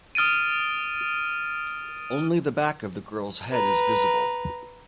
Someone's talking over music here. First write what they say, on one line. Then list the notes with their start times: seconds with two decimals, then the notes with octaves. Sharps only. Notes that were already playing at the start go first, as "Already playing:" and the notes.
Only the back of the girl's head is visible.
0.15 D#6 F6 A6 D7 D#7
3.51 B4 A#5